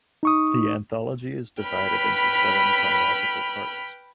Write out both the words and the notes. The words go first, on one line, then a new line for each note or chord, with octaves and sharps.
The anthology is divided into seven chronological parts.
D#4 C#6 D#6
B4 G5 B5 F6